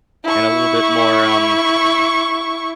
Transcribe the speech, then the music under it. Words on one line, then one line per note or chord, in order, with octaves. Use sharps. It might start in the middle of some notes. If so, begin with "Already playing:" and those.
and a little bit more, um,
E4 C#6